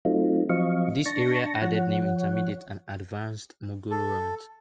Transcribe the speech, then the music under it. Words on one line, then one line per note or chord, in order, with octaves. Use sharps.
This area added new intermediate and advanced mogul runs.
F#3 A3 C4 D#4 F4
F3 F#3 C4 D#5 F5 C#6
D4 A5 C#6 A#6
F3 C#5 F#5
A4